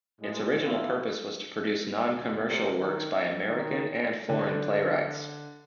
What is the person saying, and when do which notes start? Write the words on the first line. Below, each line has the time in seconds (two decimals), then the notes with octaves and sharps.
Its original purpose was to produce non-commercial works by American and foreign playwrights.
0.20 A2 G#3
0.62 D#2 B2 E3 A#3 E4 F4
2.15 D2
2.47 C3
2.80 D#3
3.19 F2
3.49 D#3
4.29 D3